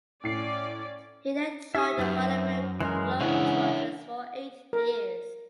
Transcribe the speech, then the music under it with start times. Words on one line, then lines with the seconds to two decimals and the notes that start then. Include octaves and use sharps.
He then joined the Harlem Globetrotters for eight years.
0.23 A2 C#4 D5 C7
1.75 D#4 G4 E5 D#6
1.99 F#2 D#4 B4 G6
2.81 E3 G#3 C#4 A#4 C6 F#6
3.21 C#3 E3 G#3 D4 E4 C#5 E5 F#5
4.73 A#4